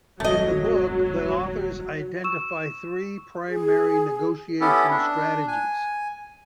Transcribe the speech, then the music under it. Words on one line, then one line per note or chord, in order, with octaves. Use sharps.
In the book, the authors identify three primary negotiation strategies.
D#1 G#1 F#2 F#3 A3 D#5
C#6 E6 E7
G#4
B3 C#4 E4 G4 A4
D4
G#5